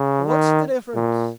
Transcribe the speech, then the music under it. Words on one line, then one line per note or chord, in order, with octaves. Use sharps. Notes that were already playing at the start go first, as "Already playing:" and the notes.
"What's the difference?"
Already playing: C#3
D#3
A#2